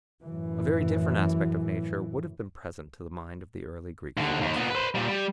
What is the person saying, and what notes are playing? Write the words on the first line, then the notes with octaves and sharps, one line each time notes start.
A very different aspect of nature would have been present to the mind of the early Greek philosopher.
F#2 A2 E3
D#2 D3
D#2
A#2 B3
B4 C5
A#2 G3
G3